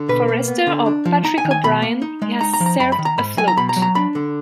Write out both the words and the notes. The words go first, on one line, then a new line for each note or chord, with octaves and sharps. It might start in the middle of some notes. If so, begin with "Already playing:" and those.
Forester or Patrick O'Brian, he has served afloat.
Already playing: D3
B2 B4
A#3
B3
D3
D4
F3
D#4 A#5
G#5
D#3
G#5
B2 B5
A#3
D#4
G#3
D#4 A#5
A#5
F3
A#5
F#2 B5
B5
D#3
A#5
G#2 B5
F#3 G#5
A#5
B2 B5
A#5
F#3
A#5
D4 B5
D3